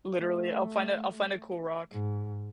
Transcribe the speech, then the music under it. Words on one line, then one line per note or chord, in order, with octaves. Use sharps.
Literally, I'll find a I'll find a cool rock.
A3
G#2